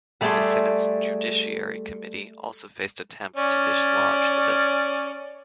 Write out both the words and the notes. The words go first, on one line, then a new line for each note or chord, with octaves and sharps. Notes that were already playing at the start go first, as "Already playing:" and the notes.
The Senate's Judiciary Committee also faced attempts to dislodge the bill.
G3 A3 G#4 D5 A5 C6
C#4 D5